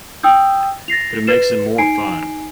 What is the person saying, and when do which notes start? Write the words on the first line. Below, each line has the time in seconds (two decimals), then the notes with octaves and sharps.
But it makes them more fun!
0.23 G5 D#6 E6 G6
0.88 A6 A#6 C7 F7
1.27 B4 A6 C7 E7
1.78 D#4 G#5 C7 D7